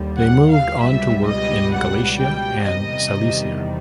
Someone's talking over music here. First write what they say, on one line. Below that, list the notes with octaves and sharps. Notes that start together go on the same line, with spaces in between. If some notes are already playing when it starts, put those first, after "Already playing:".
They moved on to work in Galicia and Silesia.
Already playing: D#2 D3 G3
F#5
F5
C#2 B2 G3 E5
D#5
F#5
G5
E2 C3 D#3 G3 D#5